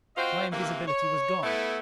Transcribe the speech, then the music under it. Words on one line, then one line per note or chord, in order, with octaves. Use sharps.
My invisibility was gone!
C4 F4 F#4 C5 D#5 G5
C3 E3 F3 A#3
C#5
A3 B3 E4